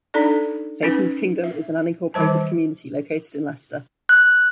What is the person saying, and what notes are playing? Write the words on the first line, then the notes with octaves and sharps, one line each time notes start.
Satans Kingdom is an unincorporated community located in Leicester.
D4 D#4 A4 D5
C#4 D#4 B4
E5
D#3 E3 G3 C5 A5
F#6